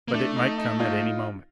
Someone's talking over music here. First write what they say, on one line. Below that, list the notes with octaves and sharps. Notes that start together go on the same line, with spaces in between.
But it might come at any moment.
A#3
A3 D4 E4
D#4
D#4
D#4 F4